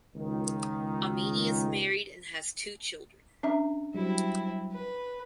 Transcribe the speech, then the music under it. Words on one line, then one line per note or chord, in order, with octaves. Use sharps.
Amini is married and has two children.
C#2 D#3
C#4 D4 E5
F#3 G3 C4 E4
B4